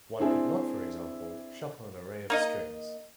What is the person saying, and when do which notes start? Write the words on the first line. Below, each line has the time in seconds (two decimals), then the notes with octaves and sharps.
One could not, for example, shuffle an array of strings.
0.20 C4 D4 E4 G#4
2.30 A#3 D#4 D#5